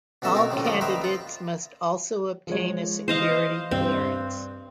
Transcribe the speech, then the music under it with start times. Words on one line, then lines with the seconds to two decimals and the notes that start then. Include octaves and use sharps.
All candidates must also obtain a security clearance.
0.22 B2 C#4 F#4 A4 E5 D#6
0.34 A3 C4 D#4 A#4
0.50 A#1 A2 C#3 F3 G3
0.64 D3 F3 A3 A#3
0.81 B4 C5 D#5 E5 G5 A#5
1.04 F4
2.47 F3 G#3 C#5
3.08 E3 C5 D#5 F5
3.71 G2 C4